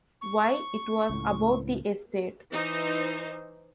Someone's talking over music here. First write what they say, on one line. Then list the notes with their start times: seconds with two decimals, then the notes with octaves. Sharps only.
Why, it was about the estate.
0.21 C#6
1.10 C#2 A2
2.52 E3 D#4 C5